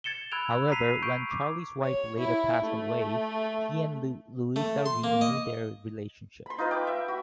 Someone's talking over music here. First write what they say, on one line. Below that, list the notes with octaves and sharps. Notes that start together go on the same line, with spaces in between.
However, when Charlie's wife later passes away, he and Louisa renew their relationship.
G#6 A6 C#7 E7 G7
B5 E6 F#6 G#6 D7 F7
A#5 B6 C7 D#7 F7
C#6 G6 D7
D6
C#5
E4
A3
A3
C6
A#3
D#5
B5 C6
D#4 F4 B4 D#5
G5 D6
E5
F#4